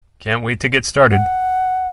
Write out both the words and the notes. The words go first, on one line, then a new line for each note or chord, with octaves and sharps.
Can't wait to get started!'.
F#5